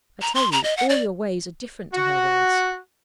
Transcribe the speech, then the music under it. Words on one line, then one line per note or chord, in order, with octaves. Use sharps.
I tell you, all your ways are different to her ways.'
A#5
C6
A#5
D#5
F#5
D5
F#4